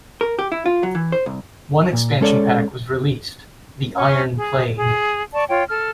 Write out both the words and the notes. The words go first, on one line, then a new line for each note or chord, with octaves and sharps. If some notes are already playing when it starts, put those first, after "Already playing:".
One expansion pack was released, "The Iron Plague".
A#4
G4
E4
F4
F#3
E3
C5
C2
A#2
G#3 C#4 A4 C#5 D5
C#4
G#4
G#4
D5 A5 C#6
F4 C#5 G5
A4 F6